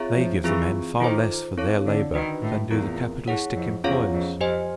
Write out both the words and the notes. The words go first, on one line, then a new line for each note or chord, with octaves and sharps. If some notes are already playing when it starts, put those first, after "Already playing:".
They give the men far less for their labour than do the capitalistic employers.
Already playing: C4 F4 G#4 C#5 E5
F3
E3 C4 F4 G#4
D#3 F4 A4 C5
C4 E4 A4 C#5
D3
D#3 D4 F#4 B4
A2
E2 C4 F4 A#4
E4 G#4 C#5 F#5
F2
E2 C#4 F4 G#4 C#5 F5
F2
F2 G4 C5 D#5 G#5